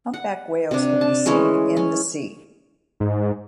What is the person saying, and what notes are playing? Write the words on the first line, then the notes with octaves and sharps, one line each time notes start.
Humpback whales can be seen in the sea.
F#5
C3 D4
A5
E3 G#3 A3 C#4
C#4
G#2